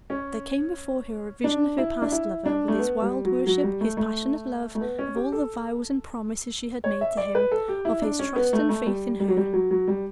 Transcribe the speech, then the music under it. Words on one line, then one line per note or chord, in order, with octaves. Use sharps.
There came before her a vision of her past lover, with his wild worship, his passionate love; of all the vows and promises she had made to him; of his trust and faith in her.
C#4
D4
E4
D4
E4
D4
A3
B3
G3
F#3
F#3
G3
A3
A3
A3
B3
C#4
G4
A4
C#5
E5
D5
B4
A4
G4
E4
D4
C#4
B3
A3
A3
G3
G3
F#3
G3
F#3
F#3
G3